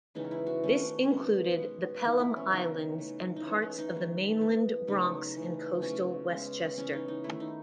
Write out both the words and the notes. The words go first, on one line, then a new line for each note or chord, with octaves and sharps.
This included the Pelham Islands and parts of the mainland Bronx and coastal Westchester.
C#3 E3 G#3 B3 D#4
E4
F#4
D#3 A3 C#4
B2 G#3 B3
B2 G#3 B3
E3 B3 D#4
E4
C#4
C#3 E3 B3 D#4
E3 A3
D#4
E3 B3 C#4
C#4
D#4
D#3 G#3 B3
E3 B3
C#3 F#3 A3 D#4
C#3 E3 A3
C#3 F#3 A3 C#4
C#3 G#3 B3
C#3 E3 B3 C#4
D#4
D#4
D#3 A3 E4
D#4